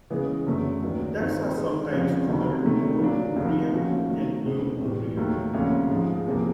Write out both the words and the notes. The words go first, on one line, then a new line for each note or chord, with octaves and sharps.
The texts are sometimes called Old Umbrian and New Umbrian.
C#3 E3 G#3 B3
F#2 D3 F#3 A3
D#2 D#3 F#3 B3 D4
G2 D#3 G#3 C4 F4
D#3 G#3 B3
F2 D3 F3 G#3 C#4
D2 C3 D#3 F#3
C3 D#3 F#3 A3
A#2 F#3 A#3 D4
D2 C3 F3
A#2 F3 A3 C#4 F#4
D#3 F#3 A3
E2 B2 G#3 C4
A2 E3 G3
D#2 D#3 F#3 A3
D2 C3 F3 A#3 C#4
G#2 F3 G#3
E2 C3 F3 A#3